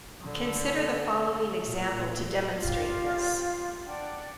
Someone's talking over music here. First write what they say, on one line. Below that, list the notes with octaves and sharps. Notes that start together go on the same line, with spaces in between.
Consider the following example to demonstrate this.
D3
A#2
F4 G4 C5 F5
D4 D5 F#5 G5